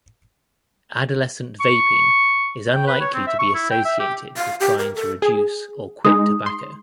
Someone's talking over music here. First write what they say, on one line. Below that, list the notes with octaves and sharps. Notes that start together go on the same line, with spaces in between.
Adolescent vaping is unlikely to be associated with trying to reduce or quit tobacco.
C#6
G5
B4
C#5
C4
E5
C#6
E4
G5
E5
G4
F5
G4
A#4
A4
G#4
G#3 D#4 D#6
C6